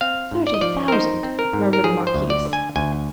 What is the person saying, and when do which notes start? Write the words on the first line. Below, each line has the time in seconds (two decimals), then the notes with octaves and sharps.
"Thirty thousand," murmured the marquise.
0.01 C4 F5
0.31 G#2
0.47 D5
0.54 D#5
0.61 F3 D5
0.88 A#4
0.92 D#4 C5
1.23 C4
1.39 A#4
1.53 G#2
1.73 A#4
1.84 F3 G#4
2.07 C5
2.14 D2
2.30 D5
2.45 D3
2.53 G#5
2.76 D2 G#5